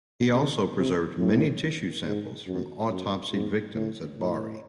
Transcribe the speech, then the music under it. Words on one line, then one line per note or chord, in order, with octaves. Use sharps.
He also preserved many tissue samples from autopsied victims at Bari.
C#3
C3
A2
G#2
F#2
F#2
G#2
A2
A2